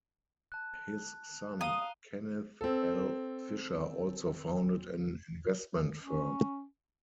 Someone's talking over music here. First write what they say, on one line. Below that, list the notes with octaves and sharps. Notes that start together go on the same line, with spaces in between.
His son Kenneth L. Fisher also founded an investment firm.
A5 F#6
F5 A#5 D#6 D#7 G7
C4 A4
C#4